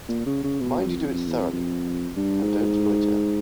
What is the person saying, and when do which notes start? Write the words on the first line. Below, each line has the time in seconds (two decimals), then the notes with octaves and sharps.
Mind you do it thoroughly, and don't loiter.
0.09 A#2
0.26 C#3
0.44 C#3
0.60 B2
0.79 F#2
0.87 F2
1.13 F2
1.26 E2
1.39 F2
1.52 F2
2.16 G2
2.42 G#2